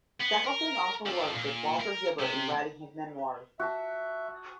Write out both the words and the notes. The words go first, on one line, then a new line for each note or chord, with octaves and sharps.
Shackleton also worked with Walter Gilbert in writing his memoirs.
B3
A#4
F3 A4
A#2
A#4
C3
F#4 E5 A5